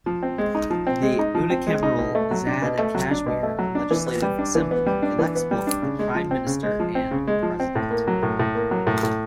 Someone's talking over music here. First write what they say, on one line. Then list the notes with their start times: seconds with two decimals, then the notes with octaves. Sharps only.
The unicameral Azad Kashmir Legislative Assembly elects both the Prime Minister and President.
0.06 F3
0.23 C4
0.38 G#3
0.55 D#4
0.70 F3
0.87 C4
1.02 G#3
1.19 D#4
1.35 F3
1.50 C4
1.67 G#3
1.83 D#4
1.99 B2
2.15 A3
2.31 F#3
2.47 D4
2.62 B2
2.79 A3
2.95 F#3
3.11 D4
3.26 B2
3.43 A3
3.59 F#3
3.75 D4
3.91 E3
4.06 B3
4.22 G3
4.38 D4
4.55 E3
4.71 B3
4.86 G3
5.02 D4
5.19 E3
5.35 B3
5.51 G3
5.67 D4
5.82 C#3
5.99 G#3
6.15 F3
6.31 C4
6.46 C#3
6.63 G#3
6.80 F3
6.95 C4
7.11 C#3
7.27 G#3
7.43 F3
7.60 C4
7.75 A2
7.91 A#3
8.07 F#3
8.23 A2
8.39 A2
8.55 A#3
8.71 F#3
8.87 A2
9.03 A2